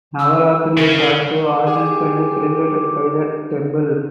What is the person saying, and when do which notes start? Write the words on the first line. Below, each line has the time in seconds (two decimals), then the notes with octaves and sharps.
Navaratri is also organised and celebrated by the temple.
0.19 E6
0.77 C#3 A#4
1.66 G4 G#4